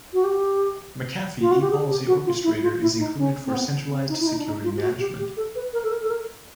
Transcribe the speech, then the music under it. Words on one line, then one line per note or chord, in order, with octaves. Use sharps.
McAfee ePolicy Orchestrator is included for centralized security management.
F#4
G4
F4
F#4
G4
G#4
G4
F#4
F4
E4
F4
E4
D#4
C#4
C4
B3
C4
D#4
E4
D#4
D4
D#4
F4
G4
F#4
G4
G4
A4
B4
A#4
A4
A#4
A4
A#4